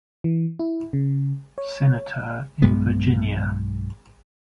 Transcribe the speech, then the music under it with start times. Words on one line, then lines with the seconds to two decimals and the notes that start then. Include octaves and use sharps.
Senator in Virginia.
0.24 E3
0.59 E4
0.93 C#3
1.58 C#5
2.62 B1 G2 G#3 B3